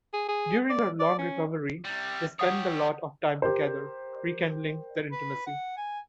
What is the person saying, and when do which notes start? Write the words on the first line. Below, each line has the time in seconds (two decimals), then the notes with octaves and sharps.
During her long recovery, they spend a lot of time together, rekindling their intimacy.
0.14 G#4
0.29 G#4
0.70 D5
1.00 D5
1.18 C#4
1.85 C3 G3
2.39 G4 C#5 F#5 D#6
3.42 G4 A#4 C5
5.12 B4
5.46 F#5
5.77 G#5